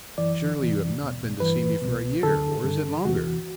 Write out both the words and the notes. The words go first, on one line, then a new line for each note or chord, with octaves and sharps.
Surely you have not been to see me for a year, or is it longer?
F#2 E3 D5
D2 C3 E3
E2 B2
G2 E3 B4
C2 B2
F#2 D3 A4
G2 D3
E2 C3 E3 F#4